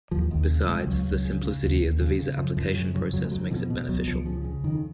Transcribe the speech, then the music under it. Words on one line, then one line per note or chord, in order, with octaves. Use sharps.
Besides, the simplicity of the visa application process makes it beneficial.
D#2 F3
D#2 D#3
C#3
C#3 G#3
C#2 F#3
C#2
C#3
C#3
D#2
D#2
C#3
C#3
F#2 F3
F#2 F3
C#3 F#3
C#3 F#3
F2 F#3
G#3
F2 F#3
D#3
B2 F3
B2
C#2 F#3
C#2 F3
C#3 F3
C#3
F2 D#3